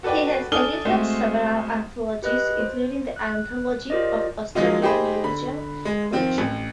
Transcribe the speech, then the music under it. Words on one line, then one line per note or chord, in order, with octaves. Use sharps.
He has edited several anthologies, including the "Anthology of Australian Religious Poetry".
F#4 A4 B4 D5 G5
D4 A4 G#5 D#6 F6 G7
G#3 A3 C4 F#4 C5
G4 B4 D#5 F#6
C5
F#6
F4 G4 A#4 C5 D5 D#5
F3 F#3 G#3 D#4 F4
D#4 G4 G#4 C5 B5
D3 B5
G#3
D#3 F3 C4 F4
A1